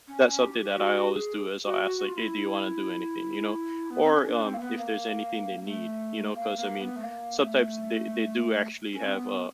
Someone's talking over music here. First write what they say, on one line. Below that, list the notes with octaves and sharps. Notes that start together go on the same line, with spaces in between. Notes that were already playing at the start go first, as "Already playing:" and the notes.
that's something that I always do is I'll ask, like, "Hey, do you want to do anything," you know. Or, um, if there's anything they need, you know, 'cause I mean, sometimes they they do actually have a
C#4
C#4
G4
G4
F#4
G#4
F#4
F#4
F#4
F4
E4
B3
C4
C#4
D4
C4
A#3
B3
A#3
A3
A#3
A#3
B3
A3
A#3
A3
C#4
C4
B3